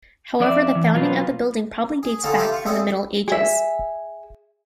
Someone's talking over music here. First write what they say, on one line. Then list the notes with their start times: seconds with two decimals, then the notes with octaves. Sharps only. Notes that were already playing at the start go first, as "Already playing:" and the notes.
However the founding of the building probably dates back from the Middle Ages.
0.40 F2 D5 E5
0.75 E3
0.95 B2 F#3 F4 B4 C5
2.03 G#4
2.23 D3 D#3 F4 G#4 A4 A5
2.37 F4 G4 A4 C5 E5 B5
2.52 F4 C#6
2.66 G3 C4 G#4 A4 E5
3.28 G#4 E5